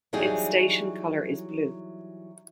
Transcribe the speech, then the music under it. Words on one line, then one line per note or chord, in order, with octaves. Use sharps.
Its station colour is blue.
E3 F#3 G3 D#4 G4 G#4